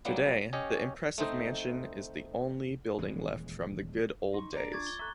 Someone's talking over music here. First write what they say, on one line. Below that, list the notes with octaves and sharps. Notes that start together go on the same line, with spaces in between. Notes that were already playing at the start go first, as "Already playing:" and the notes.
Today the impressive mansion is the only building left from "the good old days".
F#3 G3 A#3 B3
C#4 G4 C#5 D#5
A3 C4 D#4 C5 D#5
D#1 E3 G#3
D#4 C6 C#6
D4 A#4 D5 A#5 A6 D7
F4 C#6 D6 G#6 A6
G7
A4 E5 A#5 C#6 F#6